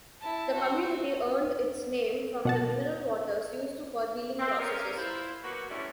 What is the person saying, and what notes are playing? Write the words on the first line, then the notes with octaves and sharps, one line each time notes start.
The community earned its name from the mineral waters used for healing processes.
E4 A5
F#4 C5
B2 F#5 A5
C4
A#3 B3 C#4 F4 A#4
E4 F4 C5
F#3 A#3 B3 F#4
D2 D3 G3 A3 C#4 E4